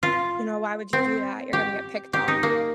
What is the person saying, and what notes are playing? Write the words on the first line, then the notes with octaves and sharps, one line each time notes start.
"You know, why would you do that? You're gonna get picked on."
F4
C4
G4
G4
D#4
A#3